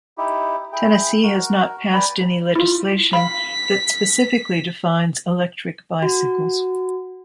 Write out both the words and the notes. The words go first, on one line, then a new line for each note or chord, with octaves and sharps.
Tennessee has not passed any legislation that specifically defines electric bicycles.
D#4 E4 G4
E4 G#4 G5
F#4 A#4
B4 D5 G5 G#5 A#5 B5
E4 F4
F5 B5 B6
F#4